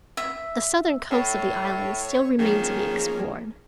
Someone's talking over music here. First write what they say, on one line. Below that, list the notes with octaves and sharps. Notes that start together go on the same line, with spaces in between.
The southern coast of the island still remained to be explored.
E5
A2 C#5
D#3 F3 A#3 C#4 G#4